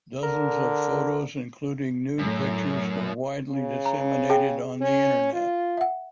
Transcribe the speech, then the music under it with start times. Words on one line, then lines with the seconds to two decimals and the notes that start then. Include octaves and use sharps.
Dozens of photos, including nude pictures, were widely disseminated on the Internet.
0.23 D3 A#4
2.19 F#2 A2
3.51 C#3
3.86 A#5
4.30 G#4 G5
4.81 C#4
5.33 F4
5.77 E5 F#5